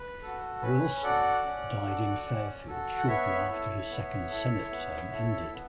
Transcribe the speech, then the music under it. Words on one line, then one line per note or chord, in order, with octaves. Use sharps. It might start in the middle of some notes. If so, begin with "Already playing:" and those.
Wilson died in Fairfield shortly after his second Senate term ended.
Already playing: B4
F#4 A4
C#4 B4
F#4 A4 D5 F#5
C#4
F#4 A4
C#4
F#4 A4
F#5
B3 C#5 E5
E4 A4
B3
E4 A4
B3
E4 A4
B3